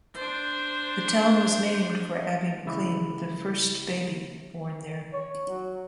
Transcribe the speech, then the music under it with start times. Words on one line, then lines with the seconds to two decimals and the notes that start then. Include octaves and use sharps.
The town was named for Abby McLean, the first baby born there.
0.15 D4 C5
2.66 C#3 E3 G#3 E4 E5 B5
5.13 C#5
5.49 F#3